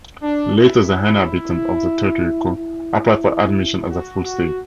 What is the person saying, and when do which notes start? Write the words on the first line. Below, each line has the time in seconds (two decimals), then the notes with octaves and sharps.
Later, the inhabitants of the territory could apply for admission as a full state.
0.23 D4
0.56 E4
2.56 E4
3.90 F#4
4.24 F#4